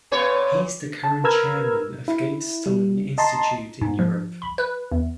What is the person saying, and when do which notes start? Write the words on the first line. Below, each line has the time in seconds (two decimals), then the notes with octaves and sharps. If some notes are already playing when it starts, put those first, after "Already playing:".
He's the current Chairman of Gatestone Institute in Europe.
0.11 A#2 B3 C#5
1.04 A5
1.24 A#4 B4 A#5 E6 F6 G#6
2.08 E4
2.66 G3
3.18 D#5 A5 A#5 C6
3.81 G#2
3.99 F3
4.42 B5
4.58 B4
4.92 E2